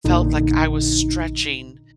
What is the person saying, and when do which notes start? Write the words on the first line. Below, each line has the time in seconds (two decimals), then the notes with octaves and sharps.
felt like I was stretching
0.04 A#1 A#2 D3 D#4